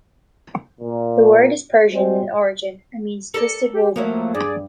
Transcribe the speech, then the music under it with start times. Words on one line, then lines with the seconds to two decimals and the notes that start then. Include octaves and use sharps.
The word is Persian in origin and means "twisted woven".
0.81 A#2
1.93 G3 G#3 C4 F#4 C5
3.34 A4 A#4 D5 C#7
3.74 G4
3.96 F3 F#3 A3 A#3 E4
4.35 G2 G#4 D5